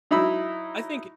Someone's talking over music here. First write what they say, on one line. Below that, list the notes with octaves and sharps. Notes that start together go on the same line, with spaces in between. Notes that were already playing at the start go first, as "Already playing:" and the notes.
I think,
F#3 D#4 E4 B5 E6